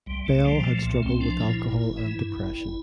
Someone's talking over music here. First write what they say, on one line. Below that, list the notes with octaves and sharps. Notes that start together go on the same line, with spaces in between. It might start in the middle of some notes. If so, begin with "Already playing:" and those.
Bell had struggled with alcohol and depression.
C2 G3
C2 A3
F3 G3
A#2 A3
C2 A3
C2 C4
F3 D4
A#2 E4
G1
G1
E3
G2
G1
G1